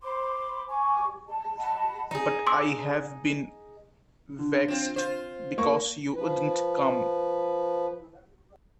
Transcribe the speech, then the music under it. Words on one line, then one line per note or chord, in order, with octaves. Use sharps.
But I have been vexed, because you wouldn’t come.
C5 B5 C6 D6
G#5 C#6 D6
A5
D#5 F#5 A5 B5
D#4 G#4
C6 D6 E6
D3
C4 F4
F4 C5
A#3 C#6
F3 B4